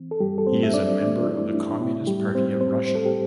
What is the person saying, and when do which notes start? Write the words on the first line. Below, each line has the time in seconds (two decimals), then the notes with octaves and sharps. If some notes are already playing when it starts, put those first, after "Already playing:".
He is a member of the Communist Party of Russia.
Already playing: E3 C4
0.11 A4
0.20 G2 G3 G4
0.38 A4
0.47 C4 C5
0.60 C4 E5
0.74 D4 D5
1.00 E3 D4 D5
1.28 E4
1.41 A3
1.49 E4
1.54 D4
1.82 A2 E4
2.07 G3 G4
2.21 A2
2.35 C4 C5
2.61 G3 C4 C5
2.85 C5
2.95 A4
3.02 C4 G4